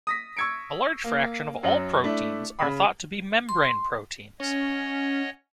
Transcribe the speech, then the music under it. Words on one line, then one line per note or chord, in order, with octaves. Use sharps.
A large fraction of all proteins are thought to be membrane proteins.
D#6 A#6 B6
C#6 E6 G#6 C#7 D7
A#3
F#2 F#3
A3 D4 E4
C#3 B5
C6
C#4 C#5 D#5 F#5